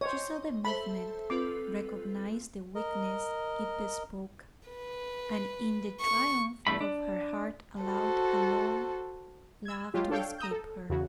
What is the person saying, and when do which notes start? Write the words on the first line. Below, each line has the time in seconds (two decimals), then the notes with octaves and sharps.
She saw the movement, recognised the weakness it bespoke, and in the triumph of her heart allowed a low laugh to escape her.
0.01 C5 C#5 D#5
0.65 A4 C5 E5 A5 B5
1.30 C4 F4 B4 D6
2.75 A#4 D#5
4.69 B4
6.01 C#6
6.67 E2 G2 A3 B5
6.81 D4
7.83 F#4 A4 C5
9.65 E6 G#6
9.94 F#3 G#3 F4 G4
10.10 D4 A4 C#5 F5 G5
10.38 A#5 D#6 E6 G6
10.51 A4
10.89 E2 C#3 F#4